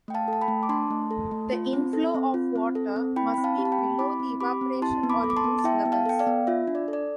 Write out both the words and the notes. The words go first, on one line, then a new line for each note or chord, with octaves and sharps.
The inflow of water must be below the evaporation or use levels.
A3 G5
F5 A5
A4 A5
G5 B5
A3
D6
D4 A5 C6
A3
A4
A3
F4
C4
A4
C4
F4
C4
A4
C4
E4 G5 B5
C4 B5
F5 A5
G4
A5
G5 B5
C4
E4 B5 D6
C4
G4 B5 D6
C4
E4 A5 C6
B3
B5 D6
A4
D6
A5 C6
B3
A5
E4 E5 G5
B3
F5 A5
A4 G5
D5 F5
B3
F4 E5
D4
D5
A4
D5